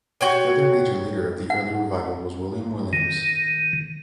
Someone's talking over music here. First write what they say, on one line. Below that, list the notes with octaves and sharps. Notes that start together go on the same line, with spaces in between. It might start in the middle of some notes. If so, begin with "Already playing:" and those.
The other major leader of the early revival was William Williams.
F#4 C#5 G5
F#5
D#3